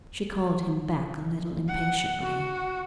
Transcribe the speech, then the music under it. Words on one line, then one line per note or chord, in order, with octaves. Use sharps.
She called him back a little impatiently.
F#5
F#4